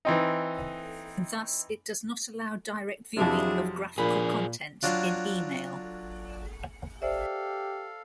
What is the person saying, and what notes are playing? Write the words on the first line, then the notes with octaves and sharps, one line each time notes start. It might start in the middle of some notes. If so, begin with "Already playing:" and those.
Thus it does not allow direct viewing of graphical content in email.
E3 C4 D#4
F2 C3 F#3 D4 E4 G#4
A#2 F3 D4 G#4 B5
F#3 D4 F4
G4 A4 C5 D5 E5 F5